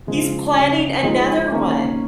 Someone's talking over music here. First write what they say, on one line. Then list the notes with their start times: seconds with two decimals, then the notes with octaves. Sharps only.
he's planning another one!
0.07 C#3 F3 G#3
0.55 C#3 F#3 C#4
1.03 F3 G#3 C4 D#4
1.51 D#3 A#3 C#4